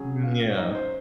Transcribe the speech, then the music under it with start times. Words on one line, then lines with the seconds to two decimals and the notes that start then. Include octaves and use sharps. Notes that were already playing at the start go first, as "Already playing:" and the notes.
Mm, yeah.
Already playing: C#3 F#3 C#4 G#4
0.23 F4 F5
0.40 F4 F5
0.50 C#5
0.58 D#4 D#5
0.75 C5